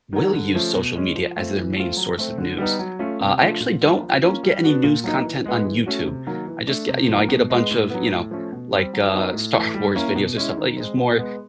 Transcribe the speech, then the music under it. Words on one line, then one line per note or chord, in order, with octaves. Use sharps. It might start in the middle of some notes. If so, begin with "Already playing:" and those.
will use social media as their main source of news. Uh, I actually don't I don't get any news content on YouTube. I just g you know, I get a bunch of, you know, like, uh, Star Wars videos or stuff. Like, it's more,
D#3 F#3
D3
F3 A3 C#4
B2
G#3 C#4
F3
A3 C4 F4
E3
A3 C4 F4
F#3
A3 C4
D3
G3 B3 D#4
F#3
A3 C#4 F4
C3
F3 A3 D4 F4
A#2
G3 A#3 D4 F4
F3
A#3 C#4 F4
G3
B3 D4 F#4
A#2
F#3 A#3 D#4
E3
G#3 B3
E3
A3 C#4 F#4
C3
D#3 F#3 A#3
E3
A3 D4
C3
F3 A#3
B2
G#3 B3
A2
F#3 B3
A2
F3 A3 C#4
B2
G3 C4
F#3
B3 D#4 F#4
A2
E3 A3
G3
A#3 C#4 E4
B2
G#3 C#4 E4
D#3
G#3 C4
B2
G#3 B3